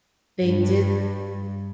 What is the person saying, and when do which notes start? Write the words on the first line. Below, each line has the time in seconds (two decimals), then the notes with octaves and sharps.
They did
0.41 G2